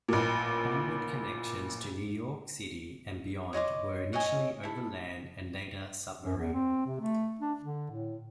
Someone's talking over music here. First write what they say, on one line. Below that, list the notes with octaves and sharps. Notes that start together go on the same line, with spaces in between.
Onward connections to New York City and beyond were initially overland and later submarine.
A1 A#2
C#5 D#5 C6 D6
C#5 D#5 E5 G#5
E4 A4
F#2
E2
C4
C3
A3
D4
D3
A2